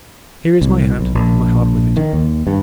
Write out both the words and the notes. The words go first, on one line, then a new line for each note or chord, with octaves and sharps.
Here is my hand, and my heart with it.
C2
B1
A#1
D#3
D#2
G2